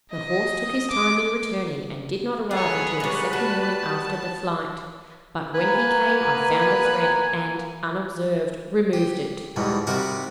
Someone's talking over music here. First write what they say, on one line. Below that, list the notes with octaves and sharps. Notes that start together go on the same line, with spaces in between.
The horse took his time in returning, and did not arrive until the second morning after the flight, but when he came I found the thread, and, unobserved, removed it.
D#5
D6
A3 B3 G#4 B4 C#5 F#5
C#3 G3 G#3 B3 A#4
G3 F#4 A5
A#3 B3 B4 G#5 A#5
G4
E2 G#2 B2 E3 G3
C3 G3 D#4 F#4 A#4 D6